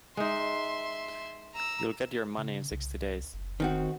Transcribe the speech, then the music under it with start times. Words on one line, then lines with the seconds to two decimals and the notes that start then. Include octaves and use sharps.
You'll get your money in sixty days.
0.17 G#3 D#4 E5 C6
1.54 A#5 E6
2.38 C#3
2.71 C2
3.34 F#1
3.60 D#3 C4 F#4